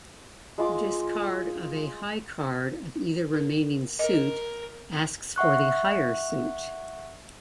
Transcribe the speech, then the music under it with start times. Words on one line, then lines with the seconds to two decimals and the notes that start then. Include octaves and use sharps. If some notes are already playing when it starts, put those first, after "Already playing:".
Discard of a high card of either remaining suit, asks for the higher suit.
0.58 G#3 F4 D6
3.34 A#4
3.99 A#4 D#5
5.36 E5 F#5 C#6 F#6